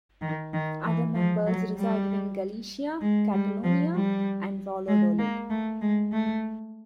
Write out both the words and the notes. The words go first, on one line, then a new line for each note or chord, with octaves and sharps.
Others members resided in Galicia, Catalonia and Valladolid.
D#3
D#3
E3
F3
F#3
G3
G#3
G3
F3
G3
G#3
A#3
A3
G#3
A3